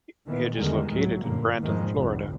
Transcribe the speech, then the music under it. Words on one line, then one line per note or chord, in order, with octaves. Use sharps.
It is located in Brandon, Florida.
A#2 D#3 E3 B3
E2 D3 D#3 G3 G#3
D2 A2 F#3
G1 F#2 A#2 D3 A#3
G#1 F2 G#2 D#3 F3 G#3
F1 C2 A2 D3